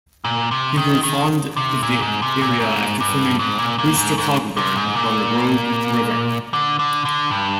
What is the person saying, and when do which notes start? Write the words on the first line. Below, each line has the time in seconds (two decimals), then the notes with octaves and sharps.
He grew fond of the area after filming "Rooster Cogburn" along the Rogue River.
0.25 A#2
0.51 C3
0.77 D#3
1.03 D#3
1.57 C3
1.83 A#2
2.02 G#2
2.22 C3
2.42 A#2
2.60 G#2
3.00 G2
3.39 G#2
3.59 A#2
3.78 A#2
3.97 G#2
4.18 G#2
4.57 C3
4.77 G#2
4.96 A#2
6.54 D3
6.79 D3
7.05 D3
7.31 G2